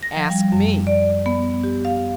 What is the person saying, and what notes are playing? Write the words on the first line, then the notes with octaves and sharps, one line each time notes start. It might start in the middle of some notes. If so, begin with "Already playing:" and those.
"Ask me!"
A#6
F3
G3
F#2
D5
B3
G4
F5